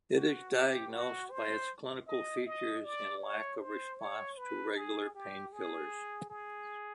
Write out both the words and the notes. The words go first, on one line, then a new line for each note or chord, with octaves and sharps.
It is diagnosed by its clinical features and lack of response to regular painkillers.
F#4
G4
F#4
C5
D#5
D#5
D5
C#5
C5
C#5
B4
G#4
G4
G#4
G#4